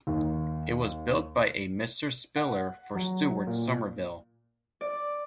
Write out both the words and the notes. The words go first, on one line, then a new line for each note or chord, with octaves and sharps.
It was built by a Mr Spiller for Stuart Somerville.
D#2
F#5
F#3
A#2
D5